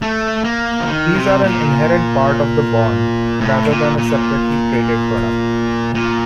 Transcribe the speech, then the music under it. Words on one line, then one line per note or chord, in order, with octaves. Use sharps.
These are an inherent part of the bond, rather than a separately traded product.
A3
A#3
F3
D#3
C3
A#2
A2
A#2
A#2
A#2